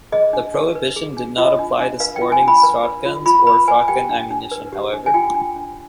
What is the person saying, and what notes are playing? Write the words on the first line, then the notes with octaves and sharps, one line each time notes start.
The prohibition did not apply to sporting shotguns or shotgun ammunition however.
G#4 D#5
D4
D4
B4
G#4
D4
F4 D#5
D4
D4
B4 F5
G5
F4
G#5
D4
B5
B4
B4
F4
F4 B5
B4 B5
B4 G#5
G4 G5
D4
D4
B4
G4
D4
G#5
F4 G5
D4
D4